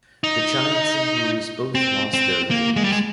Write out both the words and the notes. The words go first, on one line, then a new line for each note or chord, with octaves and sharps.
The Giants and Brewers both lost their games.
D#4
C4
C4
A#3
G#3
G3
G#3